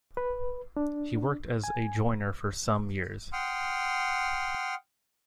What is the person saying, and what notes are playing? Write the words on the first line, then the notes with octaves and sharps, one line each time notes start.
He worked as a joiner for "some years".
B4
D4
G#5
F#5 G5 C6 D#6 F6